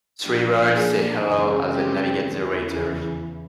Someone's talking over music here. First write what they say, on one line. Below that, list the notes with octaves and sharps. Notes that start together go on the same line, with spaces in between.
Three boys say hello as they navigate the waters.
A#2 F3 A#3 D4 G4
G#4
F#2 C#3 E3 G#3 C4 G#4
G4
E2 C#3 E3
G#4